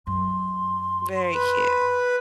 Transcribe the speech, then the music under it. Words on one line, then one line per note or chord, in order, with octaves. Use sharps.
Very cute.
F#2 C6
B4